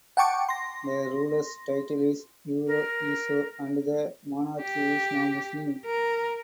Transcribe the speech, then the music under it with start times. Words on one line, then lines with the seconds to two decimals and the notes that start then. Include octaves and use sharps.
The ruler's title is "Uro Eso" and the monarchy is now Muslim.
0.17 F#5 G5 A5 C#6 D6
0.49 C6 A#6
2.67 A#4
4.62 G4
5.86 A#4